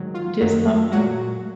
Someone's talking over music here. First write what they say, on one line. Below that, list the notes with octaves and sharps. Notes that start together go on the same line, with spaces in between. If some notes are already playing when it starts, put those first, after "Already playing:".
just something
Already playing: G#2 D#3 F#3
F4
F#2 D#3 F#3
A#2 F#3 F#4